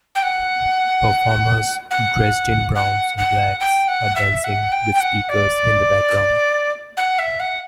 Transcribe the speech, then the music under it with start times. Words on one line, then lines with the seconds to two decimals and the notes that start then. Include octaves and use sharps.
Performers dressed in browns and blacks are dancing with speakers in the background.
0.15 G5
0.22 F#5
1.91 F#5
2.75 F#5
3.17 F#5
3.60 G5
3.88 F#5
4.16 E5
4.44 F#5
4.72 G5
4.95 G5
5.00 F#5
5.29 D5
6.97 F#5
7.19 E5
7.39 F#5